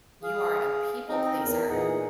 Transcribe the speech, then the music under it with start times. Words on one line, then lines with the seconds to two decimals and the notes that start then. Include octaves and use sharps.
You are a people pleaser.
0.23 G#4 F5
1.09 C4 D#4 D#5
1.40 E2 A#4
1.69 A#2 E3 D#4 G#4 F#5